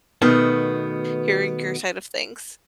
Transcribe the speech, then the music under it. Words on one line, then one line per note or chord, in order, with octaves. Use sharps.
hearing your side of things.
B2 D#3 A3 B3